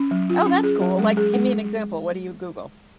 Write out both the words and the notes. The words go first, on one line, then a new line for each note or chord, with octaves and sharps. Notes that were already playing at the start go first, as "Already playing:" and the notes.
Oh, that's cool, like, give me an example. What do you Google?
Already playing: C#4
F#3
F4
C#4
G#4
F#3
G#3
G#4
G#3